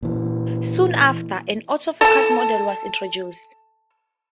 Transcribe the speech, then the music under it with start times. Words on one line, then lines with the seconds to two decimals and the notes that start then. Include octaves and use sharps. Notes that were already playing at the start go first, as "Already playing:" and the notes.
Soon after, an Auto-focus model was introduced.
0.03 A#2 E3
2.01 A4 A5